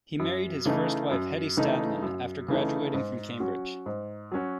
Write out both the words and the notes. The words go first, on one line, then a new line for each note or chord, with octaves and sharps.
He married his first wife Hedi Stadlen after graduating from Cambridge.
F#2
C#3 E3 A3 D#4
F#2
C#3 E3 A3 D#4
F#2
C#3 E3 A3 D#4
G#2
F#3 C#4 F#4
G#2
F#3 C#4 F#4